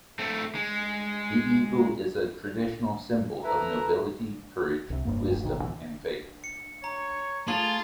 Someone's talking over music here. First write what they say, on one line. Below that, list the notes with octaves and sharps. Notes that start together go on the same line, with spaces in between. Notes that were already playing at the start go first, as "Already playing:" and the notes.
The eagle is a traditional symbol of nobility, courage, wisdom, and faith.
A3 C4
G#3
E4 A4 B4 A#5
C2 C3
F1 E2 G2 A#3
F#1 G2 A3
G#1 D2 B2 D#3
A1 G2 B2 E3
C#7
C#5 A#5
A3 F4 G#4 G#5 A5 C6